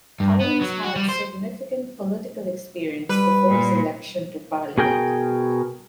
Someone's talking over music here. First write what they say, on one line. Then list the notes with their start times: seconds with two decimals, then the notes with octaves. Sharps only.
Collins had significant political experience before his election to Parliament.
0.20 G2
0.40 B3
0.61 F#3
0.84 F#4
0.96 G3
1.09 C5
3.09 G3 B4
3.50 A#2
4.78 B2 G#4 A#4 G5